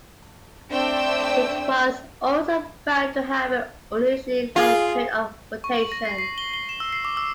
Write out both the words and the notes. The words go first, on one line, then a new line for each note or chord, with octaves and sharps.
It was also found to have an unusually long period of rotation.
A3 C4 D4 D5 G5 E6
F4 G#4
C#6
F#7
A#6
C7
C7
G7
G7
E7
E6
C7
D6
E6